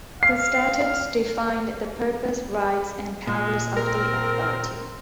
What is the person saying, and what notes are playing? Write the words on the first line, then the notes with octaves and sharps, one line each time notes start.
The statutes define the purpose, rights and powers of the authority.
F5 C7
A#2 G#3
C4 A#4